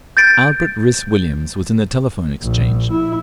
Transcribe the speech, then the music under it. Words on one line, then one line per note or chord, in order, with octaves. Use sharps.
Albert Rhys Williams was in the Telephone Exchange.
G6 A6 D7
A#1
E4